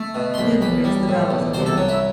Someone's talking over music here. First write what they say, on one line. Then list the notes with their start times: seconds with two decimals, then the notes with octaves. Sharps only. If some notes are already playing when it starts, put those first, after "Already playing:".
Newman raised the bellows again.
Already playing: A3
0.15 B2
0.34 C6
0.38 B1 B5
0.61 B1 B5
0.84 G3
1.08 A2
1.31 B1
1.54 C2 C5
1.66 A4
1.77 F#3
1.88 E4